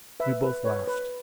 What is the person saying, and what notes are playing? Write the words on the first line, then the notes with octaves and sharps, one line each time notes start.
We both laughed.
B4 E5
B4
B4 C#5
B4